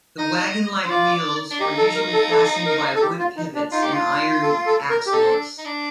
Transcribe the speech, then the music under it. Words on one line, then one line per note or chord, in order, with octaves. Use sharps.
The wagon-like wheels were usually fastened by wood pivots and iron axles.
D#4 D#5
C5
F4 D5
D4
D#4 G4
A4
A#4
A4
A4
A#4
A4
G4
F4
D#4
D4
D#4 F4
G4
F4
A4
A4
A#4
G4
D#4 A4
C4
D4
D#4
D4